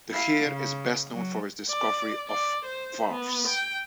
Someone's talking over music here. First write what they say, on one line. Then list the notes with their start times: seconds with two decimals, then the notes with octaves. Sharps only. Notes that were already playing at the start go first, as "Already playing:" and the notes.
De Geer is best known for his discovery of varves.
0.11 E4 F5
0.44 C#3
1.12 F#3
1.69 D5
2.27 D5
2.65 C5
3.10 B3
3.47 G5